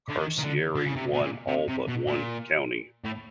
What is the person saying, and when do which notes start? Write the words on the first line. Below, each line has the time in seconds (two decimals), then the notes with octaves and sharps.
Carcieri won all but one county.
0.08 D3
0.18 D#3
0.38 D#3
0.44 D3
0.76 D3
0.86 C#3
0.96 C3
1.14 B2
1.22 A#2
1.47 C3
1.68 C3
1.88 B2
2.07 A#2
3.04 A2